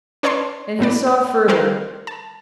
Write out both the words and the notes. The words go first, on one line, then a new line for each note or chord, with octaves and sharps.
And he saw further.
C#4 B4 C#5 D5 A5 C6
F#2 A2 B3 D5
B4
G3 C4 A#4 C5 F5 F#5
A5